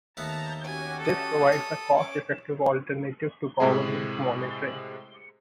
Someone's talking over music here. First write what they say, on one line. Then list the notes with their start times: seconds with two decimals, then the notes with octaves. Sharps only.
This provides a cost-effective alternative to government monitoring.
0.17 D#2 A3 B3 A5 A#5
0.64 C#4 F#4 G4 G#5
1.00 A4 D#6
1.52 C#5
1.94 C#4 D6
3.60 A2 C3 G#3 G#4